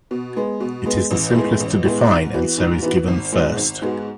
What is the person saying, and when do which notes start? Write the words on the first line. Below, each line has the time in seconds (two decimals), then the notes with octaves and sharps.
It is the simplest to define, and so is given first.
0.11 B2
0.36 G#3 B3
0.60 B2
0.86 G#3 B3
1.11 A1
1.34 A2 G#3 B3
1.60 A1
1.85 A2 G#3 B3
2.09 G#2
2.34 E3 B3 F#4
2.58 G#2
2.82 E3 B3 F#4
3.08 G#1
3.32 G#2 G#3 B3 F#4
3.57 G#1
3.82 G#2 G#3 B3 F#4